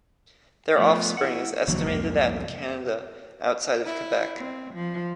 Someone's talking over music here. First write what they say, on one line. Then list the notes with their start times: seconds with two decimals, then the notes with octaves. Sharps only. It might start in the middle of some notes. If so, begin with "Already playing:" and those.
Their offspring is estimated at in Canada, outside of Quebec.
0.76 F3 A3 B3
1.17 E4 F#5
1.67 G1 F2 D3 E3 F#3 A#3
1.87 C2 F2 G#2 A#3
3.86 E4
4.37 C4
4.73 F3